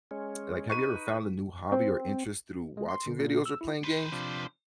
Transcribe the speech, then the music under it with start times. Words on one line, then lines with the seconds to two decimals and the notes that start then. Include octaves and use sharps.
like, have you ever found a new hobby or interest through watching videos or playing games?
0.11 G#3 C#4
0.70 D#4 B4 C#6 D#7
1.72 C4
2.77 G#3
2.89 C6
3.06 D3
3.19 A#2
3.46 E6
3.61 E4
3.84 B4 C5
4.12 C3 F3 D4